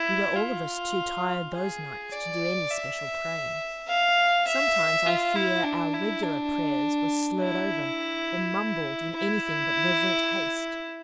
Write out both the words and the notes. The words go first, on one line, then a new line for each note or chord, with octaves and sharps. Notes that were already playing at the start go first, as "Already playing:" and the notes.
We were all of us too tired those nights to do any special praying. Sometimes I fear our "regular" prayers were slurred over, or mumbled in anything but reverent haste.
Already playing: E4
F4
G#4
D5
E5
F5
E5
F4
E4
D4
E4
D4
E4
E4